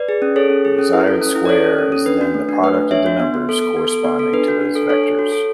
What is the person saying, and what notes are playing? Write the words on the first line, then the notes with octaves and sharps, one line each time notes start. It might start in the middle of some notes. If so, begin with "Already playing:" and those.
The desired square is then the product of the numbers corresponding to those vectors.
Already playing: B4 D5
G#4
C#4
G#4 A4 C#5
C#4
G#4
C#4
E4 B4
A4
C#4
E4
D5
A4 C#5
C#4
C#4
C#4
D4 B4
F#4
A3
D4
A3 B4
A3
D4 C#5 E5
F#4
B3
B3
A4
A4
B3
A4
B3
A4
D4 B4
F#4
D4
A4
D4 A4 C#5
A4
F#4
A4